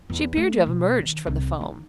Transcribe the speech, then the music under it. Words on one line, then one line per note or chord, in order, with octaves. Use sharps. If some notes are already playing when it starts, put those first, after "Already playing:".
She appeared to have emerged from the foam.
E2
A3
B2
D#3
C2
D#4